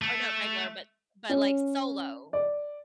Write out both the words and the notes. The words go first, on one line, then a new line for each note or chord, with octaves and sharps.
Or not regular, but but, like, solo?
A3
C#4
D5